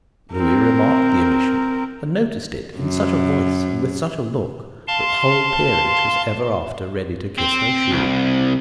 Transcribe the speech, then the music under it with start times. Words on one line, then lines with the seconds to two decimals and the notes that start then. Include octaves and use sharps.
Lewis remarked the omission, and noticed it in such a voice and with such a look that the whole peerage was ever after ready to kiss her shoe.
0.34 C4 A#4
2.78 F#2
4.88 F5 A5 C6
7.38 C4
7.91 C2